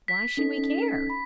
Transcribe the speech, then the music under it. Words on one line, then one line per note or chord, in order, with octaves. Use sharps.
Why should we care?
B6
C#4 D#4 A4
B5